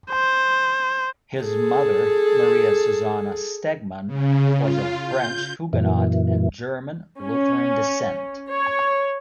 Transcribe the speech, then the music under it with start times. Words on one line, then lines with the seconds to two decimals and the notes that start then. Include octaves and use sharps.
His mother, Maria Susanna Stegmann, was of French Huguenot and German Lutheran descent.
0.11 C5
1.41 G#4 A4
4.07 C#3
4.59 F4
5.07 G6
5.73 F#2 A#2 E3
7.19 C#4
8.50 C#5